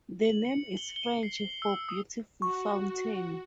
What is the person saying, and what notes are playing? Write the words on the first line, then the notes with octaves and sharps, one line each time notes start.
The name is French for "beautiful fountain".
F#7
C#7
G7
G7
C7
E6
D#6
F#4 C#6